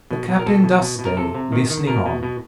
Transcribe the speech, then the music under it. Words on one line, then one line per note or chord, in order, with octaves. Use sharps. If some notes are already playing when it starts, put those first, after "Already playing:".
The Captain does stay, listening on.
B2
B2
A#4
B2 A4
B2
B2
B2
A#4
C3 A4
C3
D#3
D#3
B2 A#4
B2
B2